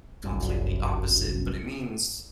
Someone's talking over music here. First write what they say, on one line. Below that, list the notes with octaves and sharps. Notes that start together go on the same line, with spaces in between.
completely opposite, but it means
G1 C2 F#2